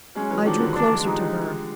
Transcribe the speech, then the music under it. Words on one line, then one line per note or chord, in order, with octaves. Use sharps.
I drew closer to her.
F#3 G#3 C#4
E3 F#3
D#3 F3 D4
D3 E3
D4
G#3
F3 G3 D#4